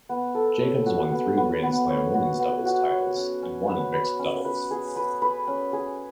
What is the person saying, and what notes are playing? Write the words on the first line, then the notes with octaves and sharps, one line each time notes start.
Jacobs won three Grand Slam women's doubles titles and one in mixed doubles.
B3
A4
C#5
F#4
B3
B3
B3
C#5
F#4
B3
F#4
C#5
C#4
C#4
B4
B4
C#4
B4
G#4
B4
B4
C#4
G#4